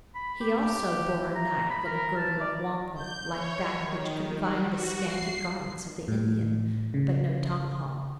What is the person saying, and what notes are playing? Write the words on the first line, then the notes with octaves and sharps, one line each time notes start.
He also bore a knife in a girdle of wampum, like that which confined the scanty garments of the Indian, but no tomahawk.
B5
G4
G4
A#5
B5
A#4
A5
D5
G6
C#5
D#3
G3
F#4
C7
A2
C#3